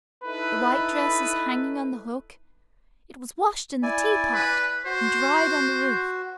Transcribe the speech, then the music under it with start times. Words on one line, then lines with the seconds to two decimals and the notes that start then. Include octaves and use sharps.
The white dress is hanging on the hook; it was washed in the teapot, and dried on the roof.
0.24 D#4 E4 A4 B4
3.83 E4 D5 G#5
4.33 B4
4.85 F#4 C5